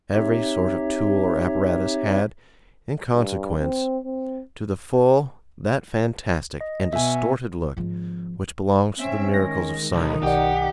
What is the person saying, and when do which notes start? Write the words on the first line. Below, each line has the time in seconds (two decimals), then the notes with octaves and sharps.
Every sort of tool or apparatus had, in consequence, to the full, that fantastic and distorted look which belongs to the miracles of science.
0.12 C4 D#4 G4 C#5 E5
3.15 G2
3.61 C4
4.04 C4
6.61 D#5
6.93 B2 E5 G#5
7.77 G#1 F3
8.96 C4 C#4 E5
9.34 D#3 G#3 A#6
9.92 B1 D#3 D#4
10.23 B1 G4 D5 F#5